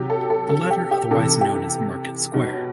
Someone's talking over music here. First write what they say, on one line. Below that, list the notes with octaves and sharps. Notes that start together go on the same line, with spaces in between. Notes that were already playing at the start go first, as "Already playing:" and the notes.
The latter otherwise known as Market Square.
Already playing: C3 F#3 G4
A4
A4
A4
G4
G4
C3 E3 A4
G4
B2 F#3